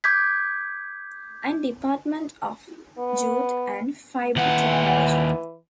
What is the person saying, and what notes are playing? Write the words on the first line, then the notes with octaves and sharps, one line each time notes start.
And Department of Jute and Fibre Technology.
D6 G6 G#6 B6
B3
D#2 E3 F#5